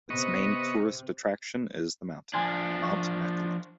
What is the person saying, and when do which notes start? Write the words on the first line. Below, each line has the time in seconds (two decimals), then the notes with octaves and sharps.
Its main tourist attraction is the mountain, Mount Maculot.
0.10 C3 B3 D#5 C#6
2.33 F3 D4 G#5 C6 G#6
2.83 C#6